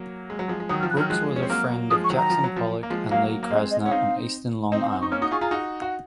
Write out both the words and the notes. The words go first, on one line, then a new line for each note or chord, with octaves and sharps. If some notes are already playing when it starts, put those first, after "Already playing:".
Brooks was a friend of Jackson Pollock and Lee Krasner on Eastern Long Island.
Already playing: F#3 A#3
G#3
F#3
F3 G#3
G#3
D#3 F#3 D#6
F6
F3
F#6
D#3 F#3 F6
F3 G#3 F#6
C#4
C4
F#3 A#3 F6
F3 G#3 D#6
C#6
D#3 F#3
A#5
F3
F#3
F3
A#3
F3 G#3
F#3 A#3 F5
A#3
G#3 C4 D#5
D#5
C#4 F#5
C4 D#4 F5
C4 D#4 D#5
F5
F#5
D#4 C#6
A#3 C#4 F6
D#4 F#4 D#6
F4 G#4 C#6
F4 G#4 A#5
D#4 F#4
F#4